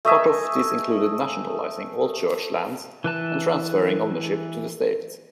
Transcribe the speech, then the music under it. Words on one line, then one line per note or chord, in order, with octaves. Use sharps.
Part of this included nationalizing all Church lands and transferring ownership to the state.
A3 D#5 E5 G#5
E3 B4 A5